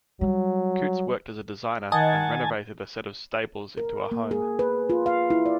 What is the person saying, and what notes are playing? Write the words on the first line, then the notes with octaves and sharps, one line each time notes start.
Coutts worked as a designer and renovated a set of stables into a home.
F#3 G3
D#3 D#5 F#5 G#5 A5
A#4
A#3
G#4
B4
F4
F5
E4
D5